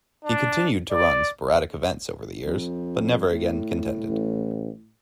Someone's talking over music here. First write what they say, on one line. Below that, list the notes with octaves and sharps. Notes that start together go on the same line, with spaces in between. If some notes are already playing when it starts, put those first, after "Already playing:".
He continued to run sporadic events over the years but never again contended.
D4
D5
F2
A2
A1